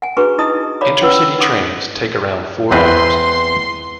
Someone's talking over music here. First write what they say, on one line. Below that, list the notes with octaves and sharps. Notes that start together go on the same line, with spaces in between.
Inter-city trains take around four hours.
F#5 G#5
D4 F#4 G#4 B4 A#5 C#6
D#4 E4 D#5 A5 A#5 D#6
C#5 D5 F5 A#5 B5 D6
C#4 E4 B4 F#5 B5 E6
D#4 G4 F#5 D6 D#6
E2 C4 B4 C6